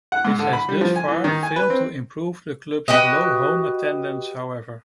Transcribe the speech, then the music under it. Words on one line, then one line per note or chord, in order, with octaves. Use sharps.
This has thus far failed to improve the club's low home attendance, however.
F#5
G#2
D3
B5
G3
F3
G#5
E3
D#3
G#5
B4
C4
F#4 G4 B4 D#5